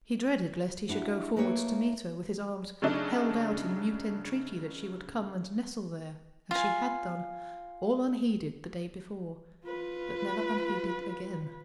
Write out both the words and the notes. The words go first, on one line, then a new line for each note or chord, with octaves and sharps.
He dreaded lest he should go forwards to meet her, with his arms held out in mute entreaty that she would come and nestle there, as she had done, all unheeded, the day before, but never unheeded again.
D4 E4 F#4
A3 A#3 D#4 B4 C#5
C#3 F#3 A3 D4 D#4
F4 G#5
F4 B4